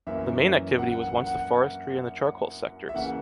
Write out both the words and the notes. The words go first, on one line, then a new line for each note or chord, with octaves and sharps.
The main activity was once the forestry and the charcoal sectors.
F#2 E3 A#3 C#4 E5
F#5
F#5
F#5
E5
C#3 E3 A#3 F#5